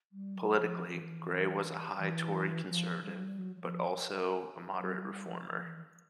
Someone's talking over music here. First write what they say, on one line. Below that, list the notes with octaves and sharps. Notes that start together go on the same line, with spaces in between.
Politically, Gray was a high Tory Conservative but also a moderate reformer.
G3
F#3
F3
F3
E3
E3
F3
G3
F#3
G3
F#3
F#3
F3
F#3
G3
F3
F3
E3